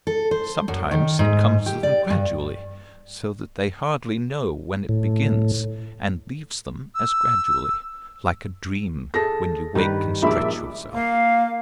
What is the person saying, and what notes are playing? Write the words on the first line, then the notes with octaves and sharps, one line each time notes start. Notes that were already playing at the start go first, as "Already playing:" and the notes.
Sometimes it comes to them gradually so that they hardly know when it begins, and leaves them as gradually, like a dream when you wake and stretch yourself.
A4
C5
F#2
D#3
G#2
G4
D5
G2
A2
E6
G#4 A4 A#6
G2 D#3 G3 B4
A#1 G#2 D5 E5 B5
A#3 F5